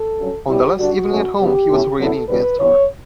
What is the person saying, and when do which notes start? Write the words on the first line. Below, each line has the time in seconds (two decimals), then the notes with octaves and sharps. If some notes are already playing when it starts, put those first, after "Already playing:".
On the last evening at home he was railing against her.
Already playing: A4
0.17 G2 F#3 C#4
0.47 B2 G3 C#4 E4 G4
0.78 D3 G3 D4 F#4
1.08 B2 F#3 A3 C#4
1.38 C#3 F#3 B3 D4 G4
1.69 B2 A3 C#4 E4
1.98 D3 F#3 B3 E4 A4
2.28 E2 C#3 G3 B4
2.58 G2 E3 B3 C#5